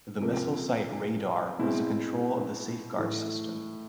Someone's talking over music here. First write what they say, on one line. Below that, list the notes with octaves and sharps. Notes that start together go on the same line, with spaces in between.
The Missile Site Radar was the control of the Safeguard system.
C#2 C3 F3 A#3
B2 G#3 C4 E4
A2 E3 A3